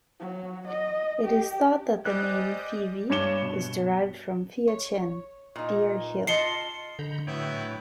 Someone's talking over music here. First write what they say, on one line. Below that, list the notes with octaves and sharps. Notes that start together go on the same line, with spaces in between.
It is thought that the name Fyvie is derived from "Fia-chein" 'Deer hill'.
F#3
D#5
G4
G3 C5 D5 D#5 G#5 F#6 G6
G2 C#5 D6 C#7 E7 G7
B2
C#5
A#2 D#4
F4 D#5 A5 C7 C#7 G7
D3 A#5 B5 G6
A2 F#3 B3 E4 C#5 G5